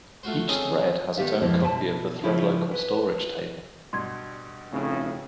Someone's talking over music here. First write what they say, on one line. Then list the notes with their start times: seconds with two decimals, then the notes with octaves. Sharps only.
Each thread has its own copy of the thread-local storage table.
0.23 A3 F4 F#4 C5
0.48 C4 C#4 D#4 G#4 A4
1.17 D#3 B3 G4 D5 E5 F5
1.42 F2 E3 F3 G#3 E4
1.62 B2 E3 G#5 A5
2.23 C#3 F3 E4 F4 G#4 A4
2.71 E3 B4
3.93 G2 B2 C6 G#6
4.72 F1 A2 C#3